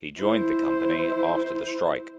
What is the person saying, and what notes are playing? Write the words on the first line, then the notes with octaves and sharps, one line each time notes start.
He joined the company after the strike.
E4 C5